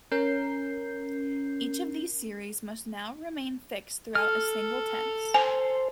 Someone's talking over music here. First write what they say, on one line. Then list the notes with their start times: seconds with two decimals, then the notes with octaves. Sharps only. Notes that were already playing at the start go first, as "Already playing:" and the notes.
Each of these series must now remain fixed throughout a single tense.
0.12 C#4 A#4 G6 C7
4.15 A4 F6
5.34 C5 G#5